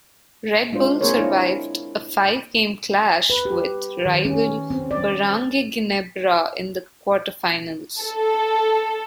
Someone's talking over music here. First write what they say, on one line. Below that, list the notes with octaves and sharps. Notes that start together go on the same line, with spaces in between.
Red Bull survived a five-game clash with rival Barangay Ginebra in the quarterfinals.
G#3 D4 F4 C5
A#3 C4 G#4 A#4 C5 C#5
D4 E4
B4
G4
D#3
C#4
C4
D5
A4